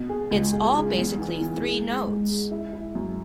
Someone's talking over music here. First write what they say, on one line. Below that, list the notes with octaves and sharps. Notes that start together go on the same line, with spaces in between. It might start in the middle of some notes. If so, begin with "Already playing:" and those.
It's all basically three notes!
Already playing: B2
G#4
C#2
G#4
C#3
E2
E3
E3
G#3
G#3
G#2
G#3
E4
E4
F#2